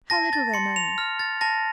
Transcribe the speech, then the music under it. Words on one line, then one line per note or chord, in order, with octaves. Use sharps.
"How little they know me!"
A5 A#6
A6
C6 C#7
F7
F6
A6
A5 A#6